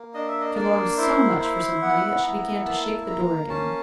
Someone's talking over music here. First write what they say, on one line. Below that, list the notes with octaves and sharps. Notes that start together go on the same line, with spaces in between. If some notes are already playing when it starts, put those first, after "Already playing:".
She longed so much for some honey that she began to shake the door again.
Already playing: A#3
D4 D#5
E5
D#5
A#3 D5
E4 C5
E4 C5
B3 F#5
E4 A#5
A#3 A5
A#3 A#5
C#4 A5